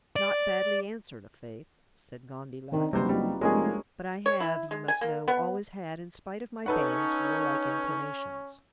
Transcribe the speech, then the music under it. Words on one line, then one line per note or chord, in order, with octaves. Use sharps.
"Not badly answered, i'faith," said Gondy, laughing; "but I have, you must know, always had, in spite of my bands, warlike inclinations."
D5
D#3 C4 D4 D#4
F#1 C3 G3 F#4 B4 C5
G3 C4 D#4 F4
F1 G#3 A#3 D4 G#4 A4 C#5
C#5
E4
G#3
G#5
A#3
B3
C#4 D#4 A4 B4 C#5 F#5